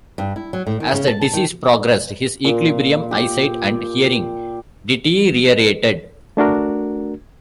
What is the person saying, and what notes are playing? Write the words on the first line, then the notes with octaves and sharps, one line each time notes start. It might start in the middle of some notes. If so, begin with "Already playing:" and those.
As the disease progressed, his equilibrium, eyesight, and hearing deteriorated.
G2
E4
F#3
A2
D#3
C#3
A5
A5
D#3
A#2
G4
A3 D4 F#4 A#4